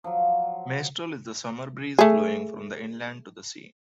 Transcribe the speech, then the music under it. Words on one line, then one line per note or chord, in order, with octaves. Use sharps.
Maestral is the summer breeze blowing from the inland to the sea.
F3 F#3
A3 G#4